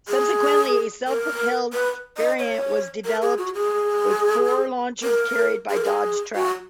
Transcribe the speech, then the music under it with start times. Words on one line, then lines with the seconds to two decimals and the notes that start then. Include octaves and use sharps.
Subsequently a self-propelled variant was developed, with four launchers carried by Dodge truck.
0.08 G#4
1.08 A#4
1.73 B4
2.18 D#5
2.39 C#5
3.05 A#4
3.22 G#4
3.38 F#4
3.55 G#4
5.03 A#4
5.69 G#4
5.77 A#4
5.85 G#4
6.35 F#4